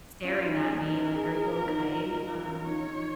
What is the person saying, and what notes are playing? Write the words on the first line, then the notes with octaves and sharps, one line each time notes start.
staring at me, like, "Are you okay, um?"
C#4 F4
D#4
G#4
C#4
D#4 A#4
G#4
G#4
F4
F4
D#4
F4
F4
F4
C#4
F4
D#4 C#5
D#4